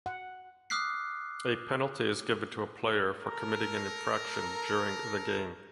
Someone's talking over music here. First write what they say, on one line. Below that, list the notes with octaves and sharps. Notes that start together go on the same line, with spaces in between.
A penalty is given to a player for committing an infraction during the game.
F#5
D6 D#6 F6 F#6 B6 C7
A4 A#4